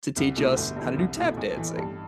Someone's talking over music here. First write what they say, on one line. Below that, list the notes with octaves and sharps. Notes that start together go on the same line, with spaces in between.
to teach us how to do tap dancing,
C2
B2 A3 E4
G1
G2 E3
C2
B2 A3 E4
B1
A2 E3
G2